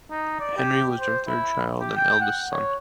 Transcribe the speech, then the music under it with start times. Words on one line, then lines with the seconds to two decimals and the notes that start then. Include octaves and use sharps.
Henry was their third child and eldest son.
0.10 D#4
0.40 D5
0.57 G4
1.00 C5
1.28 E4
1.80 G4
1.96 G5
2.21 F#5
2.52 C#5